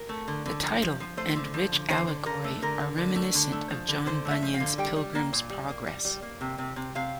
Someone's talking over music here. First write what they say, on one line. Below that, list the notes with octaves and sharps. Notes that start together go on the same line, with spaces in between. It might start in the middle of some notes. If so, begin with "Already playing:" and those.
The title and rich allegory are reminiscent of John Bunyan's "Pilgrim's Progress".
Already playing: A#4
A3
D3
D3
F3
F3
F3
A3 C5
D3
F3
D3
D3 C5
D3
D3 A#4
A3
D3 A#4
D3
D3
A3
D3
A3
F3
D3
D3 C5
A3
E5
F3
F5
D3
G3 G5
G3
A#3
A#2
G3
A#3
G3
G3
A#3
C3
C3
C3
C3 F5